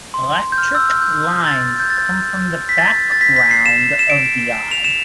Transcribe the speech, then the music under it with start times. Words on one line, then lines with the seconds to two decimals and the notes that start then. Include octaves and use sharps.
Electric lines come from the background of the eye.
0.14 C6
0.52 G6
0.58 F6
0.75 E6
0.89 F6
1.02 G6
1.46 A6
1.80 G6
1.90 A6
2.69 B6
2.78 A6
3.12 A6
3.21 B6
3.36 B6
3.51 C7
3.66 E7
3.99 E7
4.10 D7
4.71 F7
4.84 E7